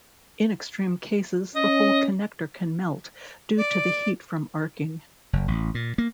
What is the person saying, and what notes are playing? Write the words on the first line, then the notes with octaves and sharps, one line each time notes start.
In extreme cases the whole connector can melt due to the heat from arcing.
C#4 D#5
D5
F#1
A1
A#2
A#3